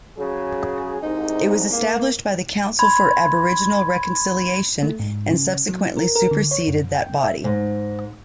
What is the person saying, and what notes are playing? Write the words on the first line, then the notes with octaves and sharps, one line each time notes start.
It was established by the Council for Aboriginal Reconciliation and subsequently superseded that body.
C#3 F#3 G#4
C2 G#2 D#4
A#3
B5 C6 G#6
A3
G#2
C#3
F#3
A#4
A#4
D3
C#5
F#2
G5
E5
G#2